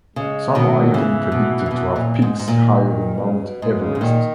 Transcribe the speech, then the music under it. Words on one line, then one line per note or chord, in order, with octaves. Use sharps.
Some are even predicted to have peaks higher than Mount Everest.
C#3 G#3
B2 D#3 F#3
C#3 E3
B2
C#3
B2
A#2
G#2
G#2
A#2 D#3
B2
C#3
B2
G#2 B2
C#3
G#2
A#2 D#3